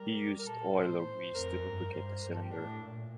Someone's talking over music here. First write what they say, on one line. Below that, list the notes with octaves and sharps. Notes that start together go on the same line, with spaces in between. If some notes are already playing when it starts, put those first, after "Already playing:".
He used oil or grease to lubricate the cylinder.
Already playing: G3 A#4
A#4
A#2 A4
A2 C5
F2 A#4
G2
G2 C5
C5
G2 A#4
A4
G4
A2 D4
A#2